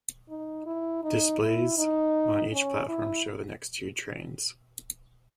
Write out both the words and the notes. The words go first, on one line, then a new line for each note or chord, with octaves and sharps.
Displays on each platform show the next two trains.
D#4
E4
D#4
E4
D#4
C#4
E4